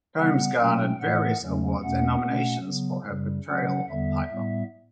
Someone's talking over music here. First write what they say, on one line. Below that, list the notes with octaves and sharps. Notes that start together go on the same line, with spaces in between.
Combs garnered various awards and nominations for her portrayal of Piper.
C#3 G3 B3 F#5
B2 F#3 A3 C#4 G5
A2 E3 A3 F#5
E2 C#3 F#3 A3 C#4
E2 B2 A3 C#4 F#5
B2 A3 C#4
C#3 F#3 B3
F#2 C#3 G3
C#3 F#3 C#4 F#5
E2 D3 G3 B3 E5
A2 G3 B3